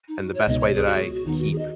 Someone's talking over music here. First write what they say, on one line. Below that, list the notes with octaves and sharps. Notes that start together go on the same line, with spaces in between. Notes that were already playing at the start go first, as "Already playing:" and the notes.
And the best way that I keep
D#4
F#4
C#5
C#2 B2 G#3 B3 D#4 D#5
C#5
G#4
F#4
F#4
D#2 D#3 B3 D#4
F#4
G#4
D#5